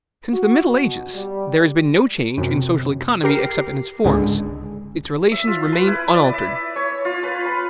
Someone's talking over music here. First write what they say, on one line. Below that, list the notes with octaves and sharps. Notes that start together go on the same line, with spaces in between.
Since the middle ages, there has been no change in social economy except in its forms; its relations remain unaltered.
F#4
B2
G3
F#2 C3
G4 A#4 C7
C#2 G#2 D3 G#3
E5
F4
B4
E4
D5
E5
C#5
F4
B4
B5